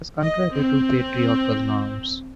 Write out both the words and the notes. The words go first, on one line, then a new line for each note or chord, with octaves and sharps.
This was contrary to patriarchal norms.
D#5
C4